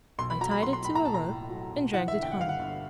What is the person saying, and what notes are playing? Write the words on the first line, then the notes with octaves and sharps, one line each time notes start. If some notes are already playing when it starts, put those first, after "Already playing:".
'I tied it to a rope, and dragged it home.
B1 C6
B5
F#3 A#5
B5
B1 C6
C6
A2 B5
A#5
B1 A5
A#5
A2
F#3
B1
E3 F#5
E5
G1
G5
F#5
G2 F5
F#5
G1